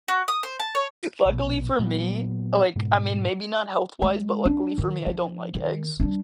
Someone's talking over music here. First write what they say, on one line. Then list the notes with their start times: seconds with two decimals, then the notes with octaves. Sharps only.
Luckily for me, oh, like, I mean, maybe not health wise, but luckily for me, I don't like eggs.
0.08 F#4
0.28 D#6
0.43 C5
0.59 A5
0.75 C#5
1.26 A#1 B2
1.79 A#2 F#3 B3
2.76 G#2 B2
4.02 G#3
4.45 D4
4.78 D#3
5.06 F3
5.55 D#3
6.00 G3 D4